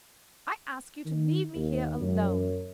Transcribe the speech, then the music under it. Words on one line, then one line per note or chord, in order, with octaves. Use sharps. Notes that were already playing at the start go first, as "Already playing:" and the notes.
I ask you to leave me here alone.
D#3
D#2
F#2